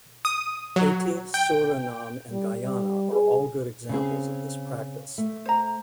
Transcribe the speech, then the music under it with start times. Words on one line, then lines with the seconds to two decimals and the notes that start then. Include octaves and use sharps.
Haiti, Suriname and Guyana are all good examples of this practice.
0.25 D#6
0.76 F#3
1.34 G5
2.31 G3
2.63 G3
3.12 G#4
3.89 C#3 C4 G#4
5.18 A3
5.46 C5 A#5